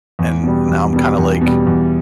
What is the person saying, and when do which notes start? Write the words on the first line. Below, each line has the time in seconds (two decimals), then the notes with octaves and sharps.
and now I'm kinda like,
0.19 E2
0.44 B2 G3
0.69 E2
0.93 B2 G3
1.18 E2
1.41 B2 G3
1.67 E2